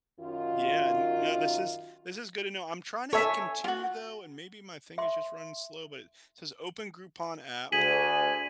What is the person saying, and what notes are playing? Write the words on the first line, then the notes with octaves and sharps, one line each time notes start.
Yeah. No, this is this is good to know. I'm trying to hit continue, though, and maybe my thing is just running slow, but it says, "Open Groupon app,"
F#2 D#3 F4
A4 C#5 E5 G#5
F4 F#4
E5 C6
D2 G#4 G#5 B6 D#7 F#7